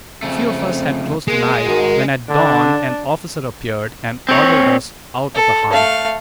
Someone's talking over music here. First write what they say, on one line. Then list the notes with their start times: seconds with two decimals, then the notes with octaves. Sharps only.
Few of us had closed an eye when, at dawn, an officer appeared and ordered us out of the Han.
0.23 F2 C#3 A3 C4
1.28 G#3 A#3
1.66 G#2 D#3 F#4 A#4
2.29 D3 D4
4.29 C4 C#5
5.35 A4
5.71 A3 F5